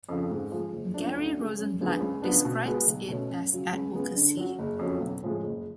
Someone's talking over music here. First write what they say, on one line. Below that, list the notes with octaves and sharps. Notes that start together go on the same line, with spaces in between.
Gary Rosenblatt describes it as "advocacy".
F2 C#3 F3
G#2
F3 G#3
F#1
F#2 F3 A3 D4
D2
C#3 G#3
F#2
D3 F3 G#3 B3
C#2
C#3 F3 B3 D4
B2
G#3 B3 F#4
B1
B2 A3 C#4
F#2
C#3 F#3
C#2
C#3 G#3 B3
D3
F#3 C#4 F#4
F#1
F2 C#3 F#3 C#4
B1
A2 F3 G#3
F#1